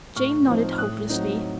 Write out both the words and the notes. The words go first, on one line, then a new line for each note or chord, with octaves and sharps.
Jane nodded hopelessly.
A2 C#6 F6
F3 C4 D#4
F6
A2 D#6 F#6
F#3 C4 D#4